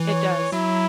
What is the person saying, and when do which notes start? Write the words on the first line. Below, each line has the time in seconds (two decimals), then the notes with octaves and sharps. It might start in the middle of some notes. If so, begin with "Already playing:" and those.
It does.
Already playing: E3
0.09 C#5
0.52 F#3 E4